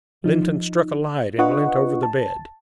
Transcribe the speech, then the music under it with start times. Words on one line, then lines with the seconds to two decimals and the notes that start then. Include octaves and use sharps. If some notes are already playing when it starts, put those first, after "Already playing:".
Lynton struck a light and leant over the bed.
0.24 F3 D#4
1.38 D4 F4 B4 D#5 F#5 C#6
2.03 A5